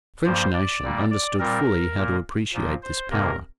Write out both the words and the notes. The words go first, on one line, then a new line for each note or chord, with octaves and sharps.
The French nation understood fully how to appreciate this power.
G2 F3 A#3 C5
D5
A#2 G3 A#3
D5
A#2 G3 C4 A#4
A#2 A#3
A#2 F3 A#3
C5
F2 C3 A#3 A#4